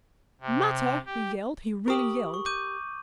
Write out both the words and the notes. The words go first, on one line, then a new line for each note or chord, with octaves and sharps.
"Matter!" he yelled; he really yelled.
C3
G4
G4 A#4 C#6 D#6 F#7
C#6
D6 G6 D#7